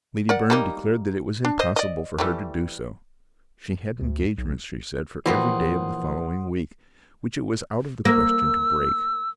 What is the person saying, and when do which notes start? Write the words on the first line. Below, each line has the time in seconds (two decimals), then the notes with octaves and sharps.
Lady Byrne declared that it was impossible for her to do so: she had engagements, she said, for every day of the following week, which it was out of the question to break.
0.29 A#4 D5 F#5
0.50 G3 A#3 D#4
1.45 D4
1.59 C5 D#5
1.76 D5 D#5
2.18 E3 G3 A3
4.01 D2
4.38 B1
5.26 A#1 B2 E3 F4 G4 F#5 C6 D#6
8.05 A#3 E6